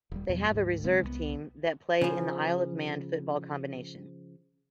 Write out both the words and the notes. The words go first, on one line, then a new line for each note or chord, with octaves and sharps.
They have a reserve team that play in the Isle of Man Football Combination.
D#1 G3
E2 B2 F#3
D2 G#2
E1 C#3 G#3 C4
C2 G3 B3
C#3 F3